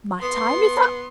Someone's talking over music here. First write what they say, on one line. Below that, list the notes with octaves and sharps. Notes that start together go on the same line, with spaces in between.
My time is up.
B3 C6